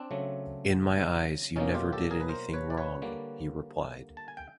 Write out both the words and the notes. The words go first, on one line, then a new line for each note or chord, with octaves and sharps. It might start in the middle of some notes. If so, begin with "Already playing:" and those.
"In my eyes, you never did anything wrong", he replied.
Already playing: C4 D4
C#3 F#3 A3
B2 F#3 A#3 C#4 D#4
F4 G4
G4 A4
G#4 A#4
B4
A#4 C5
B4 C#5
D5
B4 C#5
D3 G3 A#3
A5
G#5
G5